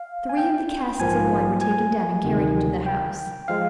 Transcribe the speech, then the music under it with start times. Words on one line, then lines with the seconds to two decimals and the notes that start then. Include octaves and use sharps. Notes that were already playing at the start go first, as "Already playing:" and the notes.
Three of the casks of wine were taken down, and carried into the house.
Already playing: F5
0.29 G#5
0.37 G5
0.99 A#1 G#2 F3 A#3 G#5
1.61 G#5
2.24 D2 C3 D#3
2.86 G5
3.48 F3 G#3 F5